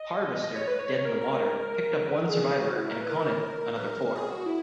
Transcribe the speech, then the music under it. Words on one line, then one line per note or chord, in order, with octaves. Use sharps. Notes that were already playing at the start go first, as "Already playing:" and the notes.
"Harvester", dead in the water, picked up one survivor and "Aconit" another four.
Already playing: D#5
D#5
C#5
B4
C#5
A#4
A#4
A#4
B4
A#4
G#4
F#4
E4
A#4
B4
A#4
B4
A#4
G#4
F#4
E4